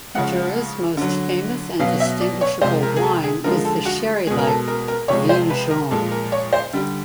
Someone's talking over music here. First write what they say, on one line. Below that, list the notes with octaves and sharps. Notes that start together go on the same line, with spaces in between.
Jura's most famous and distinguishable wine is the sherry-like "vin jaune".
C#3 F3 G#3 F#5
D3 F#3
B2 F#3 F5
E5
D5
C#5
C3 F3 G#3 C5
A#4
G#4
A4
G#4
D3 F3 G#3 A#4
A4
F#4
B2 G#3 G#4
A#4
A4
A#4
A#4
C3 F3 G#3 C#5
C5
B4
A#4
A#2 F3 G#3 A4
A#4
C#5
C5
D3 G3